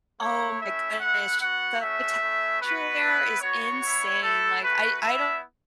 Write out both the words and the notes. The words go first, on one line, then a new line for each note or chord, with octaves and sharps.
oh my goodness, the architecture there is insane, like, I I don't
A3 E4 C#5
A3 C#4 E4 E5
A3 E4 F#5
B3 F#4 F#5
A3 C#4 F#4 E5
A3 C#4 E4
B3 F#4 B4
B3 E4
B3 F#4 C#5
B3 E4
A3 E4 A4
A3 F#4 B4
B3 E4 E5